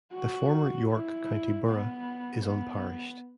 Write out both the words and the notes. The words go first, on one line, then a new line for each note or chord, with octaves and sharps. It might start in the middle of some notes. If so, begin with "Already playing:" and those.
The former York County Borough is unparished.
F#4
E4
B3
B3